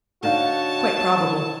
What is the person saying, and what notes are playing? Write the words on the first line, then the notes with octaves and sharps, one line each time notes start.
"Quite probable."
D3 D#4 F#4 C#5 F5 A5
E4